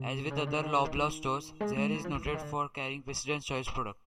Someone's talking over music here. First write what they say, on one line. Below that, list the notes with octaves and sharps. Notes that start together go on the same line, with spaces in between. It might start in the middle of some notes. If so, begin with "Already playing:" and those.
As with other Loblaw stores, Zehrs is noted for carrying President's Choice products.
Already playing: C3
C#3
D3
D#3
D3
D#3
D#3
G#3
G#3
E3
F3
E3
D3
D#3
D3